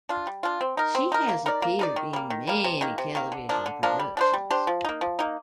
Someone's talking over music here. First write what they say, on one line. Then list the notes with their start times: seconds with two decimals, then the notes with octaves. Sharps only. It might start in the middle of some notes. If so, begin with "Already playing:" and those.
She has appeared in many television productions.
0.09 D4 F4
0.27 G3
0.43 D4 F4
0.61 C4
0.77 D#4 A#4
0.95 C4
1.12 D#4 A#4
1.29 A#3
1.46 D#4 A#4 D5
1.62 A#3
1.79 D#4 A#4 D5
1.96 D#3
2.13 G3 A#3
2.30 D#3
2.47 G3 A#3
2.64 C3
2.81 D#3 A#3
2.98 C3
3.15 D#3 A#3
3.32 D3
3.49 F3 A#3 D4
3.66 D3
3.83 F3 A#3 D4
3.99 G3
4.17 D4 G4 C5
4.33 G3
4.50 D4 G4 C5
4.67 F3
4.85 A#3 D#4
5.01 F3
5.19 A#3 D#4